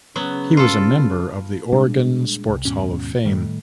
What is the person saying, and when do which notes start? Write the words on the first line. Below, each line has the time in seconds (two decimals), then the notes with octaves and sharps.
He was a member of the Oregon Sports Hall of Fame.
0.16 C#3 F#3 B3
0.57 F4 A4
1.73 A#2 G3 G#3 D4
2.49 C2
2.65 D#2 G#2 B2 C#4
3.25 A2 D#3 G3 A3